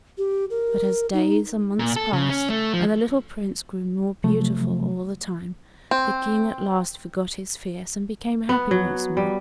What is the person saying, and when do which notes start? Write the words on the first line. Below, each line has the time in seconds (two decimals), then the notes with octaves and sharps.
But as days and months passed, and the little Prince grew more beautiful all the time, the King at last forgot his fears and became happy once more.
0.18 G4
0.50 A#4
1.13 D#4
1.79 A#2
1.96 A4
2.13 C#3
2.29 C#4
2.50 A3
2.73 F3
4.24 C3 F3 F#3 A3
5.91 C4
8.49 B3
8.71 F#3
9.17 G3